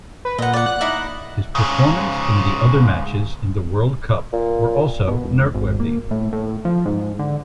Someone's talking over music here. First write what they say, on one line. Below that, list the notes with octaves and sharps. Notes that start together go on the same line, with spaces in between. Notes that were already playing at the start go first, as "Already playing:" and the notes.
His performance in the other matches in the World Cup were also noteworthy.
B4
A#2 D#5 F#5
D5 F#5
F#6
D#4 E4 D#5
G#2 C#3
A#2
B2
E1
G#1
A#3
A2
A2
F3
G#2
D3